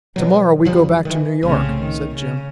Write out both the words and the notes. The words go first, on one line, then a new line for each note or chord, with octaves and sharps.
"To-morrow we go back to New York," said Jim.
B2 F#3
E1 F3 G3
D#3 E3
C2 A2 C#3 C4
D#3
C#3